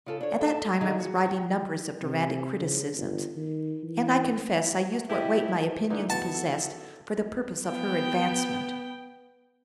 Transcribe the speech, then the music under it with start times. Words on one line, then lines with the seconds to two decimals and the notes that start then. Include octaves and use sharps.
At that time I was writing numbers of dramatic criticisms, and I confess I used what weight my opinions possessed for the purpose of her advancement.
0.06 C#3 F4 A4
0.21 D4 C#5
0.41 A4 A5
0.81 D3 D#3 F3 D#4 G#4
1.00 F#4 G#4
1.26 F#4 G4
2.02 C3
2.59 C#3
2.97 G1
3.36 D#3
3.83 E3
4.91 A3
5.10 F3 E4 G4 D#5
5.90 D3 E3 D#4
6.10 B3 F#4 A5
6.34 A4
7.67 B3 G5